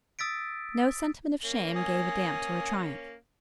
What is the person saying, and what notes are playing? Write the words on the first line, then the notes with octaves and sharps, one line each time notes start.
No sentiment of shame gave a damp to her triumph.
D#6 E6 A6 B6 D7
A#3 C#4
G#5 D#6